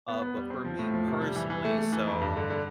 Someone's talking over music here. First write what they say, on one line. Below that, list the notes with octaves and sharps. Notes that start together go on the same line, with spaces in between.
Uh, but for me personally, so,
B3
B3
G3
C4
F3
A2
F3
C3
G3
E3
E3
A3
A3
E3
F2
G2
D3
D3